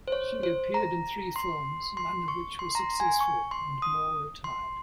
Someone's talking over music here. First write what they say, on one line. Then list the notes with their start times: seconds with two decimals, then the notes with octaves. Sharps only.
She appeared in three films, none of which was successful, and Moore retired.
0.08 C5
0.12 C#5
0.43 C5
0.74 A#5
1.36 C6
1.97 C6
2.28 C#6
2.59 C6
2.75 A#5
2.80 C6
3.00 G#5
3.21 C#6
3.51 C6
3.82 D#6
4.44 C6